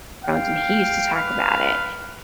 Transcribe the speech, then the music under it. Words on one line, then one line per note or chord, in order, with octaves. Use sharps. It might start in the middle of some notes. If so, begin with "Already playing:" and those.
Thrones," and he used to talk about it.
F5 G5
B4 F5